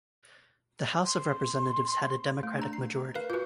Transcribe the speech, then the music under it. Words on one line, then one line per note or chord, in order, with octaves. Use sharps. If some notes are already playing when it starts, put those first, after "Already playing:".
The House of Representatives had a Democratic majority.
C6
A3
D4 A#5
C7
A#4 B4 F5
F4 F#4 B4 G6